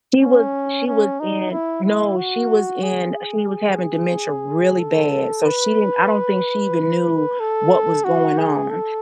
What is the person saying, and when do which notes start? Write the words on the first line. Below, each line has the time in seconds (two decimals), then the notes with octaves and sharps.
She was she was in no, she was in she was having dementia really bad, so she didn't I don't think she even knew what was going on,
0.22 C#4
0.87 C#4
1.20 D#4
1.52 E4
1.84 E4
2.17 F#4
2.83 G#4
4.79 A4
5.44 B4
7.40 A4
8.05 F#4
8.38 G#4
8.70 A4